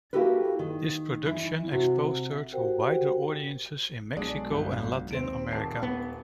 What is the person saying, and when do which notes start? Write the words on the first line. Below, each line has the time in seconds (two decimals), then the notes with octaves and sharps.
This production exposed her to wider audiences in Mexico and Latin America.
0.13 A#3 E4 F#4 G4 A4 B4
0.59 D#3
1.26 E3 E4
1.71 C3 F#4
2.52 F#4 G4 A#4 C5 F#5 G5
4.17 B1 G#3 D4 G#4 D5
4.51 G1
5.11 D#2 C4 D7
5.51 D#1 A5 C7
5.83 B3